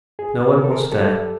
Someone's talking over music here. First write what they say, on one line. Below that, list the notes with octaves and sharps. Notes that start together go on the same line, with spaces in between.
No one was there.
F#2 G#4
D#3 A#4
A4
G#4 A#4
F#3 G4 A4